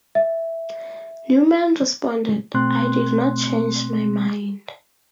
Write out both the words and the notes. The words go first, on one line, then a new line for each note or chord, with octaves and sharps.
Neumann responded: I did not change my mind.
E5
B2 A3 C4 C6 F#6